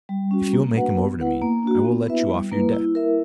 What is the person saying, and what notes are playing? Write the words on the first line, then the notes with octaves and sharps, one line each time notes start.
If you will make him over to me, I will let you off your debt.'
G3
C#4 F#4
A#3
D4 F#4 B4 F#5
B3
E4 B4 F#5
A#3
D4 F#4
B3
E4 B4 E5
G3
A#3 E4 B4
E4
A#4 E5